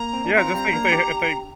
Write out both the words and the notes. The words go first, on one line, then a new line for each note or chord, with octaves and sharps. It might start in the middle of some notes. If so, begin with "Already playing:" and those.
Yeah, just think if they ha if they
Already playing: A#3 A#5
C4
D4
C4 F4 A#5
G3 C4
A#3 D4
A#4
D4 G4